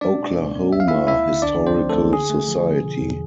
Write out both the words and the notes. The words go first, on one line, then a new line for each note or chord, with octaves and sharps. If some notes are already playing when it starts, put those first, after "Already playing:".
Oklahoma Historical Society.
G#3 D4 D5
B2
B2
B3
D2 E5
F5
A3 E4 E5
D2 E4 E5
D3
C2 D4 D5
F3
C4 C5
F3
A3 A4
C2
D3 G#4
A3
F3
D3
B2
E2